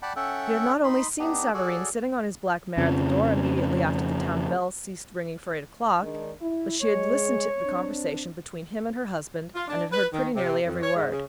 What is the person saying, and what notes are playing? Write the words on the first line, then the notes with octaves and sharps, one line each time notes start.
She had not only seen Savareen sitting on his black mare at the door, immediately after the town bell ceased ringing for eight o'clock; but she had listened to the conversation between him and her husband, and had heard pretty nearly every word.
D5 F#5 G5 A5 B5
C#4 A4 E5 F#5 G5
D#4 B5 C6
B3 D4 D#4 G4
F#4 G#4 A4 C#5 D5
F2 C#3 F3
D#3 G#3 D4
E4
G#3 C#5
C4 D4
F4
D4
B4
D#3
C3
F2
C#5
G#2
C#3